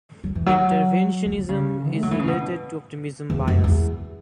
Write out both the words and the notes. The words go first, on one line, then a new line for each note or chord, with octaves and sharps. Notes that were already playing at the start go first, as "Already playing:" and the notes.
Interventionism is related to optimism bias.
F#3
E3
F#3
A3
F#3
C#3
A3
F#3
E3
C#3
B2
E2
F#2
E2